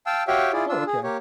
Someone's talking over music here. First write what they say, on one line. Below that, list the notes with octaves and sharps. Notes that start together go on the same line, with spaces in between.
Oh, okay.
F5 G5 A5 E6
F#4 G4 C#5 E5 F5 G5
E4 F4 G#4 D5
D4 F4 E6
G#4
A#3 G4 C#5